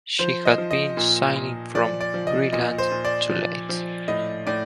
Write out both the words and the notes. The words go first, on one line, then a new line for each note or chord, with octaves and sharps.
She had been sailing from Greenland to Leith.
F3 C5
D#5
F3
D#5
A#2
A#2
F3 D5
D5
F3
D#5
A#2 D#5
C5
A#2
D5
F3
F3
A2 D#5
A2 D5